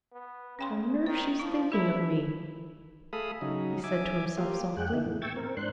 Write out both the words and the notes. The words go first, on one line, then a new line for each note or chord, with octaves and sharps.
"I wonder if she's thinking of me?" he said to himself softly.
B3
C#3 C#4 G5 C6
D#3 C5
F3 E4
E4 G4 A#4
A3 G#4 A4 F5 B5 D#6
C#3 F#3 D#4
E5 G#5 D6
A#3 F4 G4
F2 G#3 G#4 F#5 G5 F#6
D3 A#3 D#4 E4
A2 E3 A3
G5 C#6 E6 G#6 A6
C4 A#4
G#2 D4 C5 C6 F#6